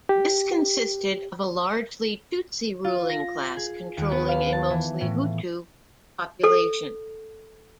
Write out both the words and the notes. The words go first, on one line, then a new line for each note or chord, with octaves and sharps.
This consisted of a largely Tutsi ruling class controlling a mostly Hutu population.
G4
F4
A#6
G#4
D#2
B3
F5
A5
E3
A2
A4